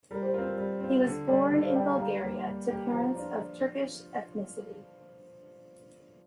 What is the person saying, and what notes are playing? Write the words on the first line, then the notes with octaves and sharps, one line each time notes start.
He was born in Bulgaria to parents of Turkish ethnicity.
G3 A#4
G4 C5
C4 F4 A#4
A#4
G3
C4 F4
D3
G3 D4 G4
D3
C5 F5
G3 D4 G4 D5 G5
F5 A#5
G3 F5 A#5
A#3 G4
G3
A#3 G4
F3 F5 A#5
D4 F4